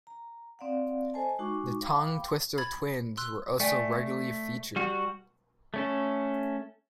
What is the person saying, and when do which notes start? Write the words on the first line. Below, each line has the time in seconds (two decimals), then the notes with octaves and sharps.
The "Tongue Twister Twins" were also regularly featured.
0.07 A#5
0.59 C4 D5 F5 F#5
1.14 A4 C5 D#5 G#5 A5
1.39 G#3 D#4 F#4 C#6 D6
1.82 F5 G5 B5 D6
2.58 B5 G#6 A6
3.17 C6 E6 F#6
3.60 A3 D5 G5 G#5
4.76 G3 F#4
5.74 A3 C#4 A4